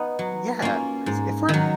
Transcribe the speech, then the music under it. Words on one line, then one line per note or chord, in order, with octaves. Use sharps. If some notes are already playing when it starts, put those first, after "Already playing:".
Yeah, 'cause if we’re
Already playing: B3 D#4
F#3
A#3 C#4 F4
G#2
D#3 F#3